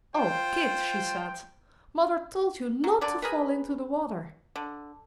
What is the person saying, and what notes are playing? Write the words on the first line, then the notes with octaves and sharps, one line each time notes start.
"O Kit," she said, "Mother told you not to fall into the water!"
F4 C5 G5
F#3
D3 F#3 D5
G#4 A#4 B4
D3